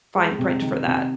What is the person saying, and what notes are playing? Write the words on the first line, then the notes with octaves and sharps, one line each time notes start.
fine print for that.
G#3
C3
D#3
C3